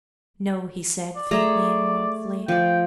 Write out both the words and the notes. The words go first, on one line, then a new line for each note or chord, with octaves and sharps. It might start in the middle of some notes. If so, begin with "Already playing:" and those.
"No," he said, faintly and mournfully.
D5
A3 G#4 D5 A#5
F3 D5 G5